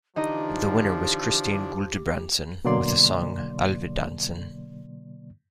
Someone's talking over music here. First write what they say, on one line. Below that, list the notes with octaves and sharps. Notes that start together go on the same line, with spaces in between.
The winner was Christine Guldbrandsen with the song "Alvedansen".
D3 E3 F3 D4 D#4 G4 D#5 A#5
B2 D3 F#3 A#3 D5 C6